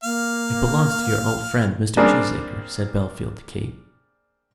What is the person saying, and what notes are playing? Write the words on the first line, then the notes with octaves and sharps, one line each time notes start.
"It belongs to your old friend, Mr. Cheesacre," said Bellfield to Kate.
A#3 F5
G3 A#3 C4 D4 G#4